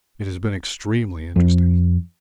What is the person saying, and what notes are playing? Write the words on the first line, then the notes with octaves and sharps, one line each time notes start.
It has been extremely interesting.
F2